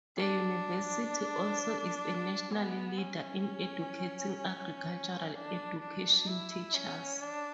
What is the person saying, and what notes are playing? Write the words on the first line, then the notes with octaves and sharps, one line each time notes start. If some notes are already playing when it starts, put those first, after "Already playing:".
The university also is a national leader in educating agricultural education teachers.
D4
B3
C#4
D4
D4
E4
C#4
D4